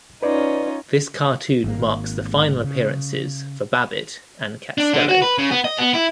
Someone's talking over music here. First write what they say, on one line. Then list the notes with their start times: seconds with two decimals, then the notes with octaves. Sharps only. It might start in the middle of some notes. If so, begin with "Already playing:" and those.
This cartoon marks the final appearances for Babbit and Catstello.
0.23 C#4 D#4 F4 B4 D5
1.64 G#1 A#3
2.64 C#3
4.78 D4
4.94 D3
5.09 F#4
5.22 B4
5.38 C#3
5.51 B3
5.65 D#5
5.78 B3
5.94 E4